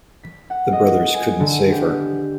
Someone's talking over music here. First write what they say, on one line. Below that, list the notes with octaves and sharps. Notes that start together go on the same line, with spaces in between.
The brothers couldn't save her.
B6
F#5
D#5
G#5
D3
G4